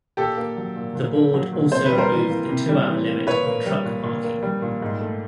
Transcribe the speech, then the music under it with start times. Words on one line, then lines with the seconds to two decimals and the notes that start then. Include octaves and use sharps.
The Board also removed the two-hour limit on truck parking.
0.17 A#2 G4 A4
0.37 A#3
0.57 F#3
0.76 A#2
0.95 A#2
1.14 A#3
1.34 F#3
1.53 A#2
1.72 C3 C5
1.86 B4
1.92 G3
1.98 A#4 C5
2.11 E3
2.30 A#3
2.49 C3
2.69 G3
2.88 E3
3.07 A#3
3.26 A#2 B4 C#5
3.47 A#3
3.66 G3
3.84 A#2
4.04 A#2
4.24 A#3
4.43 G3
4.62 A#2
4.82 G#2
5.01 A3